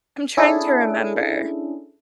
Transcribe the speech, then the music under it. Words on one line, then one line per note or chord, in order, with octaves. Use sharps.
I'm trying to remember.
C#4 D4 E4 G#4 A4